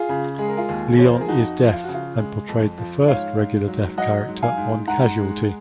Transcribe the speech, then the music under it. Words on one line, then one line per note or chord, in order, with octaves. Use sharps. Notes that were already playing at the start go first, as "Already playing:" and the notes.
Leon is deaf and portrayed the first regular deaf character on "Casualty".
Already playing: F4 G#4
C#3
G#3 G#4
A#4
F4 G#4
D#2
F3 C#5
C5
A#4
G#4
F2 D#4 F#4
F3
F4
C#3 F#4
F4
G#3
F2
F3
G#2 C#5 F5
G#2
F#3
F#3 D#5 F#5
G#2
F5 G#5
G#2
G#2 F#5 A#5
G#3